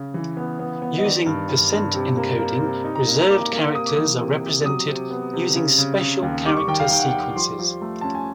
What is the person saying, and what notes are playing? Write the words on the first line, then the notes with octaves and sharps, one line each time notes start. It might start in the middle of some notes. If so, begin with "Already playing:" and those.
Using percent-encoding, reserved characters are represented using special character sequences.
Already playing: C#3
E3
B3
B3
B3
D#5
D#3 D5
G2
G2
G2
C3
A#3
A#3
C3
D#4
A#5
A#3
A#5
A#3 D6
A#3
C3 D#6
D6
E3 D#6
C3
C3
F#3 D#6
C3
B3
C3
C#3
C#3
C#3
D#2
G3 D6
C#6
D#3 G5
F5
D#3 G5
F#5
G5
G3
F3 C6
F3
A3
C#4 A5
G#5